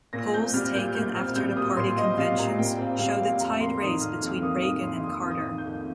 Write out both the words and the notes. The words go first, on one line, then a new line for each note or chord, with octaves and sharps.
Polls taken after the party conventions showed a tied race between Reagan and Carter.
A#2 A#6
C4 G6
G3 F6
A#2 G6
A#2 G6
C4 F6
G3 G6
A#2 D#6
A#2 C6
C4 D#5
G3 F5
A#2 A#5
A#2 G5
C4 F5
G3 F5
A#2 F5
F2 A#5
A#3 C6
D#3 D#6
F2 F6
F2 F6
A#3 D#6
D#3 D#6
F2 C6
F2 D#6
A#3
D#6
D#3
G6
F2